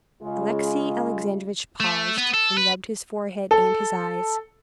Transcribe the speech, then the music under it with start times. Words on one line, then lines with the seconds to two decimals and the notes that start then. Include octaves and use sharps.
Alexey Alexandrovitch paused, and rubbed his forehead and his eyes.
0.22 C#3 G#3 F4
1.80 A3
2.18 B3
2.34 A4
2.58 B4
3.51 A4